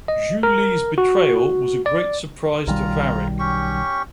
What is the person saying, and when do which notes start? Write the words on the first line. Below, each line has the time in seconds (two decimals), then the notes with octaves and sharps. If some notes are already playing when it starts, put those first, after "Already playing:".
Zhu Li’s betrayal was a great surprise to Varrick.
0.08 D#5
0.43 A#4
0.98 F#4
1.86 D5
2.67 B1 D#3 G3 F4 A#5
3.39 C#4 G4 C#6